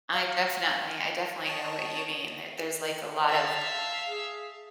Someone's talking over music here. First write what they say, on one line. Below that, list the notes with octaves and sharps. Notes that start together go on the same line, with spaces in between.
I definitely, I definitely know what you mean. That there's like a lot of
F5
C#5 D#5 A5
E5 F5 A5
G#4